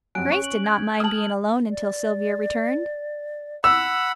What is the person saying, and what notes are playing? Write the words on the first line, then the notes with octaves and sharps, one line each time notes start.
Grace did not mind being alone until Sylvia returned.
F2 F#3 G#5 F#6 D7
C#4 C#6
F#7
G6 G#6
A5 D#6 F6 F#7
D5
F#5 B5 E6